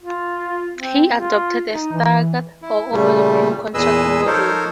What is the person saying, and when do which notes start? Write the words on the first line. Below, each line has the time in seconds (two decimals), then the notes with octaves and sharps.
He adopted a "staggered" or "overlapping" contract model.
0.02 F4
0.76 C4
1.13 F4
1.72 D#4
1.92 E3
2.62 E4
2.92 A#2 C#3 G3 A3
3.74 E2 A#2 G#4 B4 D#5 E6
4.27 F3 D#4 A4 A#4 C5 C#5